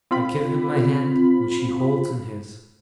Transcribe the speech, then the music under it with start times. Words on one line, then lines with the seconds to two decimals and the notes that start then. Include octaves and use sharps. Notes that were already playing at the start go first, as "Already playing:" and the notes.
I give him my hand, which he holds in his.
0.11 C4 F4 B5